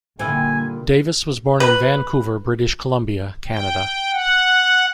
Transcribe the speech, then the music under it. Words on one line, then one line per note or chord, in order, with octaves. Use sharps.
Davis was born in Vancouver, British Columbia, Canada.
A#2 D3 G3 A#3 E4 G#5
B4
G5
F#5